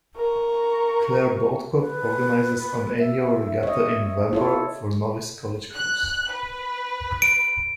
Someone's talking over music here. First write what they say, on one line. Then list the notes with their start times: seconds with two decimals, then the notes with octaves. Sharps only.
Clare Boat Club organises an annual regatta in November for novice College crews.
0.17 A#4 C#6
1.80 B4
2.55 B4
2.99 E5
3.63 C#5 D#5
4.33 E4 F4 A4 C#5
5.75 F#6
6.31 B4
7.22 D7